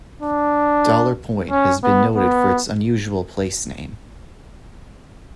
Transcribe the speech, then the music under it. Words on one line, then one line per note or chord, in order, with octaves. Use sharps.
Dollar Point has been noted for its unusual place name.
D4
C#4
B3
B3